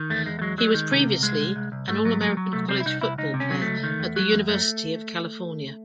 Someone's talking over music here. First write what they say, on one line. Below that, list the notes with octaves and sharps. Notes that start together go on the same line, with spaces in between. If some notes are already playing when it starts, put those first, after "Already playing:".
He was previously an All-American college football player at the University of California.
Already playing: D#3
E2 A3
E2 G#3
A3
F#3 G#3
F#3 G#3
D#3
C3
C#2
C2 G#3
C2
C2
C2
G#2 A3
F#3
F#3
F#3
C2 A3
C2 C4
E4
C2 D#4
C2 E4
C#2 D#4
C3
C#4
F#3
A3
C#2
D#3
E2
F#3
E2
F#2 A3